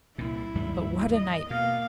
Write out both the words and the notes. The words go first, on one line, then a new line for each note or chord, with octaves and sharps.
But what a night!
C2 A#2 E4
D#2 G#2 G3
D#5
B2 A#3 F5